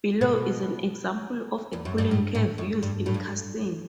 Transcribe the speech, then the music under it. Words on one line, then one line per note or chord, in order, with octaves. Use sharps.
Below is an example of a cooling curve used in castings.
B2
E2
F#2
G2
A2
A2
F#2
G2
A2
G2